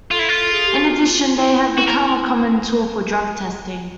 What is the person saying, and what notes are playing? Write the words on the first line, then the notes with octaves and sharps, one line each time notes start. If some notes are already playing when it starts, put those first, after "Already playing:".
In addition they have become a common tool for drug testing.
F4 A4
E4
F4
G#4
G4
F#4
F4
E4
F#4
A#4